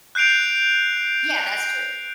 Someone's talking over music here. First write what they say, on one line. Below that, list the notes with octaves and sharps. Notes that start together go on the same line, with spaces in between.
Yeah, that's true.
F#6 G6 C7 D7 F7